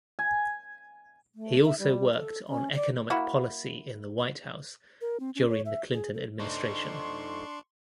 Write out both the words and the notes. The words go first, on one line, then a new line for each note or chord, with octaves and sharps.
He also worked on economic policy in the White House during the Clinton administration.
G#5
A3
E5
G3
A4
C#4
D5
A#3 E4 F#4
A#4
C4
C#4
C#5
E5
G#4
A4
A3 D4 D#4 C6 C#6